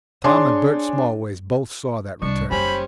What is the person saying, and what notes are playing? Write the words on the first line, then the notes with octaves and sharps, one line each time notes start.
Tom and Bert Smallways both saw that return.
D4 G#4 C#5 G#5 C6
C2 G3 D4 C#6
F#1 C#4 G4 C5 G#5 B5